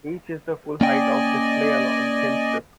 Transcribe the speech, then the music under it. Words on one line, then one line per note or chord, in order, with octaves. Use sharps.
Each is the full height of the display-a long, thin strip.
A#3 C#4 D5 D#5 G5 G#5